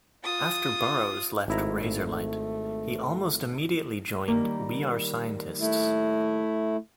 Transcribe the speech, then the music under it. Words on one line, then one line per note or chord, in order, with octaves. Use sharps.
After Burrows left Razorlight, he almost immediately joined We Are Scientists.
F4 D#6
G#1 A3 E4 A#5
D#3 G3 A#3
A3 E4